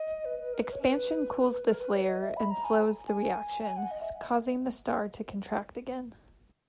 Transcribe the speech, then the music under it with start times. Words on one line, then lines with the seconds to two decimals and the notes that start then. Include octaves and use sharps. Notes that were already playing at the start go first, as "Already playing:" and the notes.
Expansion cools this layer and slows the reaction, causing the star to contract again.
Already playing: D#5
0.25 B4
0.39 B4
0.54 A#4
0.63 B4
0.72 C#5
0.82 B4
1.38 B4
1.60 B4
1.66 A#4
1.80 B4
1.94 C#5
2.08 D#5
2.22 E5
2.37 B5
2.50 A#5
2.64 G#5
3.07 G#5
3.63 G#5
3.77 F#5
3.91 D#5
4.01 E5